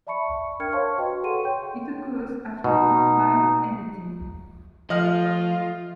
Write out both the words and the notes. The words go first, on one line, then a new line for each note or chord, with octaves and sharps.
It occurs after offline editing.
D5 E5 A5 B5 C#6 C#7
D4 A#4 G5 F6 G#6 C#7
C5 C#5 F5 A5 C6 C#6
F#4 B4 D#5 G5 C6 C#6
G#4 A4 F#5 C6 D#7
C#5 G5 C6 G6
B2 D#4
F3 A3 F4 D#5 F6